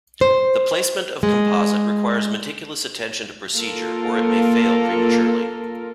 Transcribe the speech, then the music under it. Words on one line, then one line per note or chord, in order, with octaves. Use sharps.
The placement of composite requires meticulous attention to procedure or it may fail prematurely.
C5
G#3
A#3 F4 A4 A#4